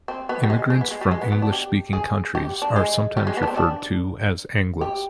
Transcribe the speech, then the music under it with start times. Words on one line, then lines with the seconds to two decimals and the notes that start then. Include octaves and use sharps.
Immigrants from English-speaking countries are sometimes referred to as "Anglos".
0.08 C4
0.29 B3
0.43 G3
0.50 G#3
0.70 G#3
0.81 B3
0.91 G#3
1.01 G3
1.11 G#3
1.21 B3
1.32 B3
1.42 D4
1.52 G4
1.93 G#4
2.35 G4
2.62 D4
2.76 G#3
3.17 G3
3.27 G#3
3.37 B3
3.43 D4
3.47 C4
3.57 D4
4.81 G4